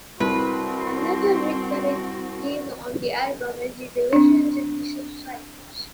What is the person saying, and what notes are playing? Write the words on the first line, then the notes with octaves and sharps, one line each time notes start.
Another recurring theme on the album is the divisions in societies.
C2 C4 F#4 B4 C6
C4 D4